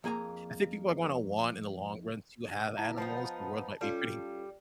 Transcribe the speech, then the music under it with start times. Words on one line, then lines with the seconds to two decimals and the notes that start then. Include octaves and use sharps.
I think people are gonna want in the long run to have animals, the world might be pretty
0.04 F2 A#3 G#4 G#5 A#5
2.77 E4 A5 A#5
2.98 F3 B3 D#4 A5
3.81 G3 C#4 F4 A4